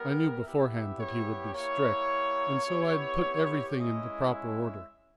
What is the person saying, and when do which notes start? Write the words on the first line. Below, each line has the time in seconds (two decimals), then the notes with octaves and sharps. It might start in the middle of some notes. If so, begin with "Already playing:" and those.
I knew beforehand that he would be strict, and so I had put everything into proper order.
Already playing: G3 B3 G4 A#4
0.42 B3 E4 G4 E5
0.99 C#5
1.54 A#3 E4 G4 C#5
2.65 B3 E4 G4
3.77 G#3 C#4 E4 D#5
4.32 E5